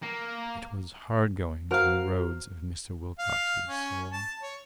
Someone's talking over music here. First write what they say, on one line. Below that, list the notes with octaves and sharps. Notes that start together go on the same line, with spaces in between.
It was hard-going in the roads of Mr. Wilcox's soul.
A#3
F#4 A#4 C5 F5 F6
F5
C#4
A5
C#5